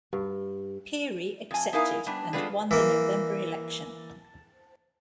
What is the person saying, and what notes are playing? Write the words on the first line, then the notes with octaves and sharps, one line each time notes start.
Peery accepted, and won the November election.
G2
F2 G#5
B3 D#4 E4 A#4 F5 G#5
G3 B3 D4
G3 G#3 B3 D4 F4 A4
E3 A#3